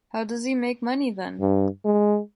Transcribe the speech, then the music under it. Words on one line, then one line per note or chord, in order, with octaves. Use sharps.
How does he make money then?
G2
G#3